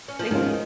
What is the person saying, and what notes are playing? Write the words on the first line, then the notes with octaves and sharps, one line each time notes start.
they pretty m
C#4
F3
G#2 D#3 F3 C#4 F4